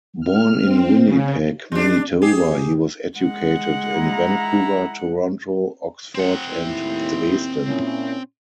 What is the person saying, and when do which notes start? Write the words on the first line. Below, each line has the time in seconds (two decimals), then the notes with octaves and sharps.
Born in Winnipeg, Manitoba, he was educated in Vancouver, Toronto, Oxford and Dresden.
0.20 F6
0.63 C4
1.04 C#3
1.72 G3 D4
2.22 G4 G#4
3.17 G#3 F#5
3.93 E4 A#5
6.15 C4 F#5
6.53 D#2 A2 E4
7.66 A#2 C#4 E4